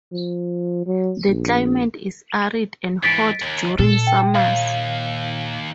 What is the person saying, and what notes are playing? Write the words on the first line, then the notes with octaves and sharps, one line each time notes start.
The climate is arid and hot during summers.
F3
F#3
A#1
G#2 E3 A6 B6 D7
D#2
A#2 A4
G5
D#2 F5